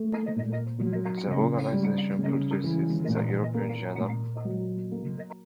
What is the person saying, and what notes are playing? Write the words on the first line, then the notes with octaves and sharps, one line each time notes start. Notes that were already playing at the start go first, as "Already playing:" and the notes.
The organisation produces the European Journal.
Already playing: A3
A#2
F#3
C#3
G3
C#3
E3
A#2
A#3
A#2
F#3
A#3